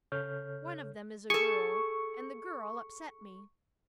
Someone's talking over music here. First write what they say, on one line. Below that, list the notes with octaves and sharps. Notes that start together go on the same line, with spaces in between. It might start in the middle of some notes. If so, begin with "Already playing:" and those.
One of them is a girl, and the girl upset me.
C#3 A4 C#5 F6 G6
G#4 A4 C#6